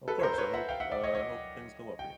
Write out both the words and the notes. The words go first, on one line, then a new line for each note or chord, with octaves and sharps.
Well, of course, I hope uh, I hope things go well for you.
A4 B4
C#5
A#4 C5
C5
B4 C#5
E5 F#5
F5 G5
E5 F#5
D5 E5
C#5 D#5
C#5 D#5
G5